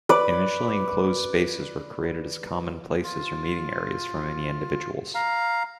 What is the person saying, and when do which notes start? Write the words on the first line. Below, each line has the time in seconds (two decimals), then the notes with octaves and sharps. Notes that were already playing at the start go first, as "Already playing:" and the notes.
Initially enclosed spaces were created as common places or meeting areas for many individuals.
0.09 B4 D5
3.04 F4
5.15 F5 A#5